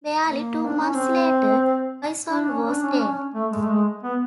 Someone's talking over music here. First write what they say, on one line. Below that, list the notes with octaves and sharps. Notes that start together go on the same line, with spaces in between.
Barely two months later, Whysall was dead.
A#3
D4
C#4
C4
D4
C#4
D4
C#4
D4
C#4
A3
G#3
A3
G#3
B3